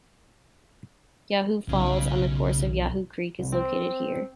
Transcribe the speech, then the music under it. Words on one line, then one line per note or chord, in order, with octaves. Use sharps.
Yahoo Falls on the course of Yahoo Creek is located here.
B1 C#3
C2
C4